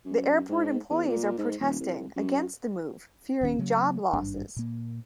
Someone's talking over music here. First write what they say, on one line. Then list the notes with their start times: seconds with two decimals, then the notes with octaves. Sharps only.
The airport employees are protesting against the move fearing job losses.
0.05 F#2
0.49 G#2
0.90 E2
1.08 A#2
1.38 G#2
1.60 D#1
1.80 C2
2.16 F#2
3.41 D#1 D#3 C#4
3.59 C#3 F#3 A#3
4.13 G#1 G2 D4
4.57 A#2 A#3